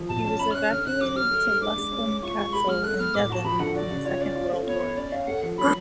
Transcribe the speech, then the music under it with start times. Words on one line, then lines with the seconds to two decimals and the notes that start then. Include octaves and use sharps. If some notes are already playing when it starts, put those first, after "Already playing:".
He was evacuated to Luscombe Castle in Devon in the Second World War.
Already playing: F3
0.09 B2 A5
0.25 C#4 A5
0.39 C#4 B5
0.51 F6
0.55 C#4 F#6
0.70 D3 F6
0.85 D3 F#6
1.01 F#3 D6
1.16 F#3 F6
1.31 A3
1.46 A3
1.62 D4 D6
1.77 G#3
1.92 C#4
2.08 C#4
2.23 F4 C#6
2.38 G#3 C#6
2.53 G#4 B5
2.68 G#3 F6
2.84 A4 F#6
2.99 B3 F6
3.14 A2 D6
3.30 F#4 A5
3.44 F3 B5
3.59 D3 F#5
3.75 F#4 D5
3.91 C#3
4.05 F4 C#5
4.21 C#4 D5
4.36 F4
4.51 A3
4.67 B3 C#5
4.81 B3
4.97 C#4 D5
5.12 C#4 F5
5.27 A3 F#5
5.43 F3
5.58 F#3 B5